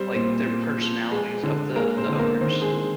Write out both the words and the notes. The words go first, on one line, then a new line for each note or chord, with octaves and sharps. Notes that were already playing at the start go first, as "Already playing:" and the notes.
like, their personalities of the the owners.
Already playing: G3 C4 C5
A#2 C4 C5
A#2
F3
G#3
D3
G#3 A#3 A#4
C4 C5
D3
A#3 A#4
D#3 C4 C5
G#3 G#4
D#3